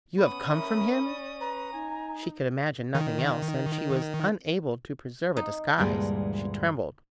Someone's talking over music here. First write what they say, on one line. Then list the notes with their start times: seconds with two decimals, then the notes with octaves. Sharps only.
"You have come from him?" she could imagine nothing else, and she was unable to preserve a disguise; she trembled.
0.17 B3 C#4 B5 D#6
0.48 A#4 E5
1.04 D5
1.40 B4 A#5
1.73 D#4 G#5
2.95 D#3
5.37 D#4
5.78 D2 G2 A#2 E3 G3 G#3